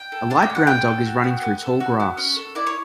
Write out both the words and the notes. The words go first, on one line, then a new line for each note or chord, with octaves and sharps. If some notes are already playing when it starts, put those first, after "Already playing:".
A light brown dog is running through tall grass.
Already playing: G5
A4
D4 A5
G5
B3
F#5
B3 G5
A4
F#4
B3
B3
A4
F#4
B3
C#4
A4
E4 D5
C#5